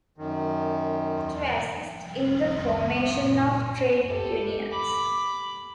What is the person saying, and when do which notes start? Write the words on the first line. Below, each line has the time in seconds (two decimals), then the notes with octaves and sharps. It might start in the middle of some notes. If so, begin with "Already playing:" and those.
To assist in the formation of trade unions.
0.18 F#2 D#3
3.19 A#2
4.07 G4 A4
4.71 B5 D6